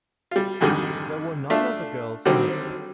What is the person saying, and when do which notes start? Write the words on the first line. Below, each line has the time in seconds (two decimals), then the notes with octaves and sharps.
There were nine other girls in it.
0.31 G3 F4
0.61 F2 G#2 D3 D#3 G3
1.50 A3 D4 F4 E5
2.25 D3 D#3 F#3 G3 C4